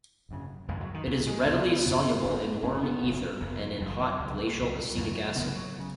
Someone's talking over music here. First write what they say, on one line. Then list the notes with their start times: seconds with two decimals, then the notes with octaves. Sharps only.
It is readily soluble in warm ether and in hot glacial acetic acid.
0.29 G#1 F#2 C#3
0.68 G#1 F#2 C#3 G#3
0.81 F#3
0.94 D#3
1.07 C#2 C#3 F#3
1.27 G#3
1.46 C#2 C#3 B3
1.85 F#1 F#2 C#3 B3
2.24 F#1 F#2 C#3
2.63 F#1 F#2 C#3 C#4
2.83 B3
3.03 F#1 F#2 C#3
3.41 F#1 F#2 C#3 F#3
3.80 F#1 F#2 C#3 F#3
3.89 D#3
4.00 D#3
4.09 F#3
4.19 C#2 B2
4.57 C#2 B2
4.97 G#1 F#2 C#3 F#3
5.35 G#1 F#2 C#3 B3
5.55 F#3
5.79 C#3